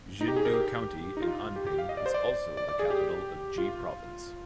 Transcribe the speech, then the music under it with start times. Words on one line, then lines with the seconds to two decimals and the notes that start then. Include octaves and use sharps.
Xindu County in Anping was also the capital of Ji Province.
0.21 D#4
0.28 G4
0.36 G#4
0.45 A#4
0.54 G4
1.17 D#4
1.22 F4
1.56 G4
1.67 G4
1.78 F5
1.89 D#5
1.97 D5
2.06 C5
2.14 D5
2.57 D5
2.69 D5
2.79 G#4
2.90 G4
3.58 F4